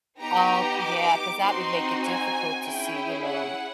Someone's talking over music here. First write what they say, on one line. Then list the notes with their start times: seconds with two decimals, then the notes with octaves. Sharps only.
Okay, yeah, 'cause that would make it difficult to see, you know,
0.20 B3 D#4 G4 A#5
0.81 D6
1.42 C4 D#4 F#4 C6
2.03 G#5
2.64 C#4 E4 G#4 G5
3.24 F#5